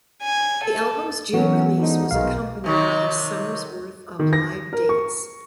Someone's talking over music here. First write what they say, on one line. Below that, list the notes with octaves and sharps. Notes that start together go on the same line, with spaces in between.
The album's June release was accompanied by a summer's worth of live dates.
G#5
A4
E3 F#3 B3 C#4 F#4
G#2 D3 D#4
B1 B2 D#3 G#3 F5
C3 D#3 F#3
D#3
A#6
A#4
C#6